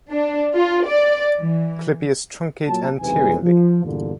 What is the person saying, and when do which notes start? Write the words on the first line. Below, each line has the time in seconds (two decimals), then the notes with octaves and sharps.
Clypeus truncate anteriorly.
0.10 D4
0.55 F4
0.87 D5
1.39 E3
2.67 A#2 F#3 A5
3.00 B1 E2 C3 G#3 B4 G#5
3.42 F3
3.84 E2 G2 A#2 D3